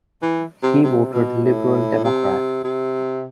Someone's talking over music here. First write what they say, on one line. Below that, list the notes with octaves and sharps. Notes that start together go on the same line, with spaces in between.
He voted Liberal Democrat.
E3
C3
C3
B2
A2
C3
C3